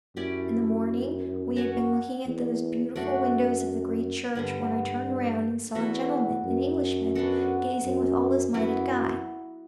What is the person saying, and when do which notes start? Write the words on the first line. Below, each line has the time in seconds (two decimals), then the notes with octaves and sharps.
In the morning, we had been looking at those beautiful windows of the great church, when I turned round, and saw a gentleman--an Englishman--gazing with all his might at Guy.
0.16 F#2 C#4 E4 G4 D5
1.56 C#4 F#4 C#5
2.26 E2
2.96 F#2 A3 D4 F#4
4.35 G2 D3 G3 B3
5.75 E2 B3 F#4 A4 E5
6.45 F#2
7.15 B3 D4 F#4 A4
7.84 F#2
8.54 F#2 F#3 B3 E4